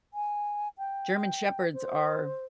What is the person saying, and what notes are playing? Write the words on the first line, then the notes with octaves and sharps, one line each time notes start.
German Shepherds are,
G#5
G5
C5